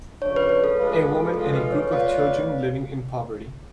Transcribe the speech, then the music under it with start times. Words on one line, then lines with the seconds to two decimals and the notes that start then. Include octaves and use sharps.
A woman and a group of children living in poverty.
0.22 C#3 F3 A3 D4 C#5
0.36 B4
0.49 B4
0.64 A4
0.78 A2 G#3 D4 F4 B4
1.34 F3 G#3 D4 F4 A4
1.54 B4
1.72 C#5
1.91 A3 F4 B4 D5 F5